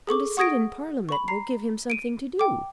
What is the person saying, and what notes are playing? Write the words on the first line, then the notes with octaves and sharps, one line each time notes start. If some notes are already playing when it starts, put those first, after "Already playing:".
"And a seat in Parliament will give him something to do."
G#4 A4 C#6 D6
F#5 C#6 D#6 G#6 A#6 D7
B5 C#6
A#5 C7
D7 D#7
G5 D6